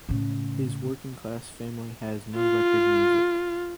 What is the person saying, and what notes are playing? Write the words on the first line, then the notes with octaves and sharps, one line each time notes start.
His working-class family has no record music.
A2 C#3
F4